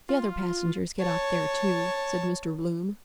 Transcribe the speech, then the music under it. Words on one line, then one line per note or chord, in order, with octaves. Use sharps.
"The other passengers get off there, too," said Mr. Bloom.
F4
C#5 A5